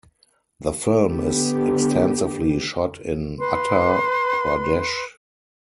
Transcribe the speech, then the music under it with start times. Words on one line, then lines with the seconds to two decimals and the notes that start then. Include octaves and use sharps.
The film is extensively shot in Uttar Pradesh.
1.06 D3 B3 G4
3.38 B4 C6